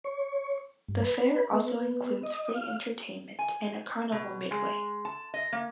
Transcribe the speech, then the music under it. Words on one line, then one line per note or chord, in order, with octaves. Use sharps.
The fair also includes free entertainment and a carnival midway.
C#5
G2
B4
B3
D#5
F5
G#5
B2
G#3
A5
D#5
A#3